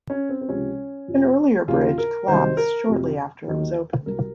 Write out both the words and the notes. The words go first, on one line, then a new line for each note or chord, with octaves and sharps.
An earlier bridge collapsed shortly after it opened.
C#4
C4
C4
C#2 C3 F3 C#4
F2 C3 F3
D#2 C#3 F3 F4
A#4
C2 C3 D#3 F#3 C5
A#4
F2 C3 F#3
D#2 D#3 F#3
C2 C3 F#3 A#4